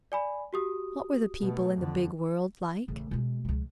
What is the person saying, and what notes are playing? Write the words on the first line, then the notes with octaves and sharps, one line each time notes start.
What were the people in the big world like?
D5 G#5 B5
F#4 G4 D#6
B2 A3
F2 D3
A1 C#3
B2 G#3
C#2 F3